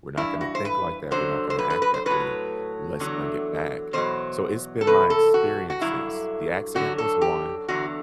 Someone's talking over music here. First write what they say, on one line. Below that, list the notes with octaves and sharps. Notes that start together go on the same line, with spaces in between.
we're not gonna think like that, we're not gonna act that way, let's bring it back," so it's been my experiences. The accident was one,
G2 E3 E4
F#4
C5
B4
F#2 D3 F#3 C5
C5
B4
B4
B4
C5
A2 F#3 B4
E2 D3 F#3
E2 B2 F#3 C5
A4
E2 C3 B4
A4
F#4
F#4
G2 D3 F#3 E4
F#2 D3 F#3 F#4
A4
G4
E2 D3 F#3 F#4